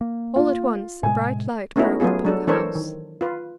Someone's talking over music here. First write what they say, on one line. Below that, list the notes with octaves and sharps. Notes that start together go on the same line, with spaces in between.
All at once a bright light broke upon the House.
A#3
F4
A2 C3 G#3 G#5
A3 B3 C#4 D#4 E4 F#4
F#3 A3 B3 F4 G#4
F#3 D4 A4
E3 D4 A4 A#4 C5 C#5
D#3
F4 B4